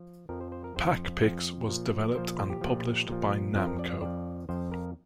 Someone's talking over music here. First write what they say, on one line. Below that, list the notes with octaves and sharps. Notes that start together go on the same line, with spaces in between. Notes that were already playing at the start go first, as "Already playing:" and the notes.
"Pac-Pix" was developed and published by Namco.
Already playing: F3
F2 F3 A#4
C5
C5
A#4
F2 F3 C5
F2 F3
A#2 F3
A#2 F3 C5
C5
G4
A#2 F3
A#2 F3
F2 F3 F4
A#4
D5
D5
F2 F3 D5
F2 F3 C5
A#4